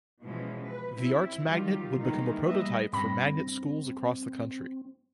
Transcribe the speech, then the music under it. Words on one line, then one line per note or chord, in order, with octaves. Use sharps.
The Arts Magnet would become a prototype for magnet schools across the country.
B2 E3 F3 G#3 C#4
B4
C4 E4
D#3 F#3 G3 F4 G4
D#3 E3 G#3 A#3 D#4
G3 A3 A#3 B4 D#5 E5
G2 C4 B5 A#6